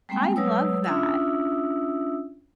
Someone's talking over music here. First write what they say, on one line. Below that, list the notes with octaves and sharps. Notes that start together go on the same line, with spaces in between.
I love that,
G3 G#3 A#3 C4 G5 G#5
F#3 G#3 B4 C#5 D#6 E6
C#4 D4 F4 E5 D#6 E6